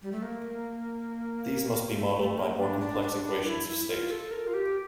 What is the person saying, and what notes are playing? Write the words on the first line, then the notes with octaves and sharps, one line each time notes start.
These must be modeled by more complex equations of state.
G3
A3
A#3
A3
A3
A#3
D4
D4
D4
D4
E4
E4
F4
A4
A#4
F4
G4